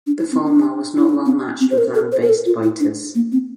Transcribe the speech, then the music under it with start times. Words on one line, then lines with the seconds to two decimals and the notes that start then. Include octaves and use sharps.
The Fulmar was not well matched with land-based fighters.
0.07 D4
0.19 E4
0.32 C4
0.45 D4
0.97 E4
1.09 D4
1.26 C4
1.60 C4
1.71 C5
1.78 A#4
1.95 A4
2.12 C5
2.22 A#4
2.29 A4
2.46 F4
2.63 E4
2.80 D4
3.15 A#3
3.32 C4